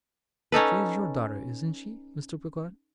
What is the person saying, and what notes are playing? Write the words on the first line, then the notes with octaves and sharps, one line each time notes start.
'She is your daughter, isn't she, Mr. Peggotty?'
C#4 D#4 A4 B4